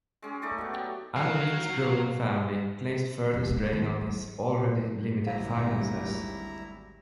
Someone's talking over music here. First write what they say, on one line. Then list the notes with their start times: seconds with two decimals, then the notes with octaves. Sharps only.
Anouilh's growing family placed further strain on his already limited finances.
0.22 G#3 C#4 G#4
0.42 A3 D#4 D5 C#6
0.58 F#3 B3
0.74 G4
1.16 F#3 F5
3.34 E2
3.48 G#3 B3
3.73 D#3
4.01 F#3
5.27 G#1 D2 G#2 F#3 G3 E4 F5 A#5